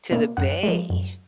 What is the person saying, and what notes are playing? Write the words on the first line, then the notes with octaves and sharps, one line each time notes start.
to the bay.
B2 A#3
F#2 F#5
F3 G#3
F#2